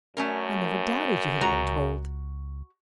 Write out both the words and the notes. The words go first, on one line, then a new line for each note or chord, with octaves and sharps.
I never doubted you had been told.
F#2 A3 C#4 A#4
C#2 F#4 A#5